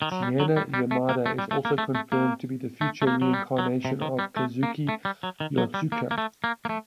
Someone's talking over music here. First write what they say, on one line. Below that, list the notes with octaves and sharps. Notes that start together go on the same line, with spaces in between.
Seina Yamada is also confirmed to be the future reincarnation of Kazuki Yotsuga.
D#3
F#3
G3
F#3
G3
G3
A3
A#3
A3
G3
A3
A#3
A3
A3
A#3
A3
A3
A#3
F#3
G3
F#3
C3
D#3
G3
A3
A#3
A3
G3
F#3
D#3
F#3
G3
A#3
A#3
A3
A#3
A#3
A3